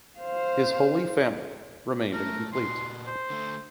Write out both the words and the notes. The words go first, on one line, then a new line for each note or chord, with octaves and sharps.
His "Holy Family" remained incomplete.
C5 F5
A3 A#4
A#2 F#4 C6
C5
D3 A3